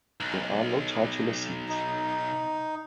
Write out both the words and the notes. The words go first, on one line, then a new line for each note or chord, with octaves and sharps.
There are no titular sees.
B1
D#4